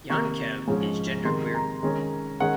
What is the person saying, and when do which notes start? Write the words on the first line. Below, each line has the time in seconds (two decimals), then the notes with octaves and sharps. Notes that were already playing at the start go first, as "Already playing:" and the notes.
Yankev is genderqueer.
0.10 C3 D#3 A#3 D#4 C#6
0.67 G#2 F3 G#3 C#4
1.25 C3 D#3 G#3 C6
1.55 A#5
1.83 D#3 G#3 C#4
2.40 D#3 G#3 C#4 F#5